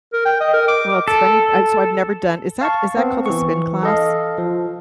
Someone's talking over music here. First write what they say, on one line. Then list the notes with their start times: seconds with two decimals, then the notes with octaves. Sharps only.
Well, it's funny b so I've never done is that is that called a spin class?
0.13 A#4
0.25 G5
0.40 D#5
0.54 A#4
0.68 D6
1.08 A4
2.61 F5 A5 C#6
2.97 B3 C4
3.26 E3 C#6
3.83 A4 D#5 F5
4.38 F3